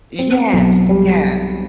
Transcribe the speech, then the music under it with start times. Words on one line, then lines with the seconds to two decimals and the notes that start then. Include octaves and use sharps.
Yes. Yeah.
0.19 C4
0.53 B1
0.89 G3